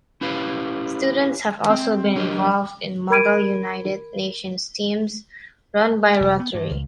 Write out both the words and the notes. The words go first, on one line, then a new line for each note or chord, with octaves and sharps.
Students have also been involved in Model United Nations Teams run by Rotary.
C#4 E4 G4 B4 F5
C4
F#3 D4 G4 A#4 D#5
A#4 B5 G#6 D7 D#7
F1
B3
G2
C#2